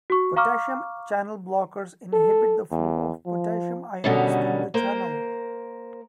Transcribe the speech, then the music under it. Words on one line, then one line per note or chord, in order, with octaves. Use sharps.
Potassium channel blockers inhibit the flow of potassium ions through the channel.
F#4 C#6
F5 A#5 C#6 D6 F6
A4
E2
F3
B2 D3 D#3 G3 C#4
A#3 A#4 C5